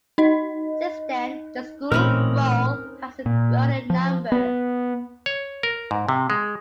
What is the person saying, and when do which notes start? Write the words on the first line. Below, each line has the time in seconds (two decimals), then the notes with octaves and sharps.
Since then, the school roll has grown in number.
0.18 D#4 D#5
1.92 A1 A#2 A3 C4 C#4 D#4 A#4 B5
3.26 A#2
3.90 F3
4.32 B3
5.26 C#5
5.63 A#4
5.91 G#2
6.09 C3
6.30 G#3